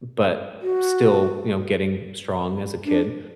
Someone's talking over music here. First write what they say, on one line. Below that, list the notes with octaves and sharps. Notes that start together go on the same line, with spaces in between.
but still, you know, getting strong as a kid,
F#4
D4